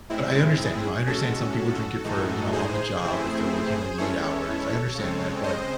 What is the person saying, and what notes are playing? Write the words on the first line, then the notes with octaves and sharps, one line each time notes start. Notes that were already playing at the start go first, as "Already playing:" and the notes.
but I understand, you know, I understand some people drink it for, you know, on the job if they're working, like, late hours, I understand that, but
A2 G#3 C4 E4
G#4
A2 G#3 C#4 F#4 A4
A2 E3 G#3 D#4
G#4 C5
C3 E3 A3 C4 E4
E3 G#3 C#4 E4 A4 C#5
C#3 G#3 C4
C5 D#5